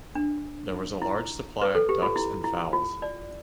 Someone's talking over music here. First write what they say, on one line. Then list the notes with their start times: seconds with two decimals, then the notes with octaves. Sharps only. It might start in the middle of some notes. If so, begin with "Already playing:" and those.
There was a large supply of ducks and fowls.
0.15 D4
1.02 E4
1.62 B4
1.75 A4
1.89 G4
2.02 F4
2.16 E4
2.44 E4
2.73 F4
3.02 D5